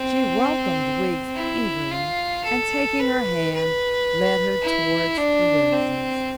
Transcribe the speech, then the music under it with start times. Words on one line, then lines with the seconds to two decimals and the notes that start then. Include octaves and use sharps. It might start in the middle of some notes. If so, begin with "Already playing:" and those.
She welcomed Wiggs eagerly, and taking her hand led her towards the roses.
Already playing: C4
1.35 E4
1.91 F4
2.45 A4
2.99 B4
3.54 B4
4.63 E4
5.18 D4
5.72 C4